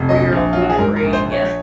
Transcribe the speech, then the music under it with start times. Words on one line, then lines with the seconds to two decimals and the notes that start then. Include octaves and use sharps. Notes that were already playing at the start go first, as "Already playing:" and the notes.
Or your own memory. Yeah.
Already playing: F1
0.09 A#1 D#5
0.32 A#1
0.53 F#3 F4
0.61 F#4
0.70 G#4
0.78 G#2 A#4
0.96 A#4
1.02 A#1
1.13 C5
1.26 A#1
1.32 C#5